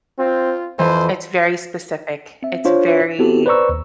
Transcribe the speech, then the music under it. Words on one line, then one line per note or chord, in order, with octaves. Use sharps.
it's very specific, it's very
C4 F4
F2 E3 C5
C4 E5
D4 F4 C5 C#5
B3 C4 E4 F#4 G4 A4
B4 C5 D5 A#5 C#6 E6
D#2